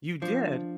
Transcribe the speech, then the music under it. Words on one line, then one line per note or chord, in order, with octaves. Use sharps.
You did?
F3 D4